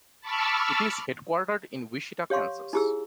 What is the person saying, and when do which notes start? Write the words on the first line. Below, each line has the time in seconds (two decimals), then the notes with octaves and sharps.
It is headquartered in Wichita, Kansas.
0.21 A5 B5 C#6 D6 E6 F6
2.30 G4 C#5 F5 C6 C#6
2.73 D#4 E4 G4 G#4 E6